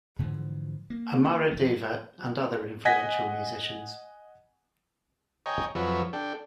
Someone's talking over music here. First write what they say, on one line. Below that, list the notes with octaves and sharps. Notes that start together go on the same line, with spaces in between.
Amaradeva, and other influential musicians.
G#2 D3 E3 F3
A#3
F1 F3 A3
D#5 F#5 G#5 G#6 A#6 B6
C#5 D#5 G5 G#5 A#5
F2 F3 F#3 B4 C#5 E5
D4 A4 G5